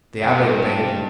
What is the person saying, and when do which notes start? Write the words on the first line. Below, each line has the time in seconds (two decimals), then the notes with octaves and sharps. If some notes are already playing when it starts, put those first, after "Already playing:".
The abbe obeyed.
0.23 E2 G2